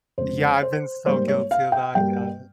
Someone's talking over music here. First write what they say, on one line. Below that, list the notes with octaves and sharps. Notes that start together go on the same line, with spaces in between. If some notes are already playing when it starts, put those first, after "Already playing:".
Yeah, I've been so guilty about that, yeah.
F2 C#3 G#3 C5
C5
G#2 G3 A#3 C5
C#5
F5
G5
G2 G3 A#3 G5